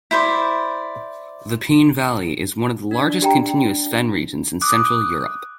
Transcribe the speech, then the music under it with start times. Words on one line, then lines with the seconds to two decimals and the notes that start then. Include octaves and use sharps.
The Peene Valley is one of the largest contiguous fen regions in central Europe.
0.11 E4 C5 D5
2.91 D4
3.22 G4 G5 A#5
4.62 D6 D#6 F#6